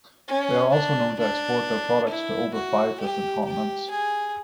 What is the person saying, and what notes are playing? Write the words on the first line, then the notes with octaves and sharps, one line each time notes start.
They are also known to export their products to over five different continents.
C#4
D4
D4
E4
F#4
G4
G4
G#4